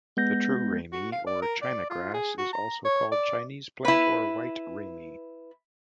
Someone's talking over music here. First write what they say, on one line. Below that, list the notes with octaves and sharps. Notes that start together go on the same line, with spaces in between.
The true ramie or China grass, is also called Chinese plant or white ramie.
G#3 B3 G6 A#6
F#4
F5
D5
A#4
D5
F4
G#4
F#4
A#5
C#5
D5
E4 B4